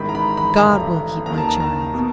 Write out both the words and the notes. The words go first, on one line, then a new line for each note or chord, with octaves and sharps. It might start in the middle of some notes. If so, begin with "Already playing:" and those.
'God will keep my child.'
Already playing: A1 G#2 D#3 B5
A#5
B5
B5
A1 G2 D3 A#5
D#2 D#3 A#5
A5
A#5
A#5
B2